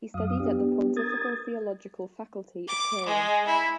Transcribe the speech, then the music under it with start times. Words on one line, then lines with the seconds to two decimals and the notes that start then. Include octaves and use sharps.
He studied at the Pontifical Theological Faculty of Turin.
0.14 F#2 F#3 F5 D#6
0.40 B3 D4 G4
0.97 A#4 D#6 G#6 A6
2.68 D6
3.05 G#3
3.47 E4